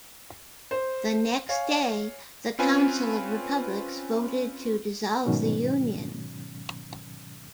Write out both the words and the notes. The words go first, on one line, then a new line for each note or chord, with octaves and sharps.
The next day the Council of Republics voted to dissolve the Union.
C5
C#5 F5 G#5
C4 C#4 F4 B4 G#5
G#2 B2 D#3 F#3 C#4